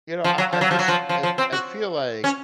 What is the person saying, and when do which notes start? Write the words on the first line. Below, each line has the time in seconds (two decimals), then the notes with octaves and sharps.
you know, I I just, I I feel like
0.24 F3
0.38 F#3
0.53 F3
0.61 F#3
0.71 F3
0.79 F#3
0.88 F3
1.09 F3
1.23 F3
1.38 C4
1.52 F#4
2.24 C#4